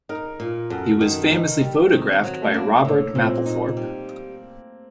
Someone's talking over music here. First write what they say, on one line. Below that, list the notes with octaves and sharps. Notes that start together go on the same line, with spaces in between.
He was famously photographed by Robert Mapplethorpe.
D#4 A#4
A#2
F#2 A4
D#3
D#4
G3
D#3 C4
F#3
A3
A#3 D4
A2
A#2 C4
D#4
G3